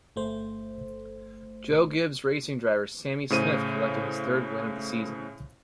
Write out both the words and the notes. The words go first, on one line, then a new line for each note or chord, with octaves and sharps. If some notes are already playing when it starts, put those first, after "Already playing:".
Joe Gibbs Racing driver Sammy Smith collected his third win of the season.
G1 A3 C5
A2 C#3 C5 D#7